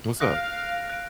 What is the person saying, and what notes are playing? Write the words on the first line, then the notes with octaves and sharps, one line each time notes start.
What's up?
F5 F#6 A#6 D7
F#6 A#6 D7